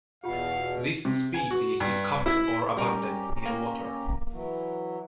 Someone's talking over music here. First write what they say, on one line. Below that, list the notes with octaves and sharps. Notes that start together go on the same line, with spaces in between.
This species is common or abundant near water.
E2 B2 F4 G4 F5 F#5
C3
G#5
F#4
G2
E4
G3 C#4 G4 A#4 A#5
A#3
E3 F#3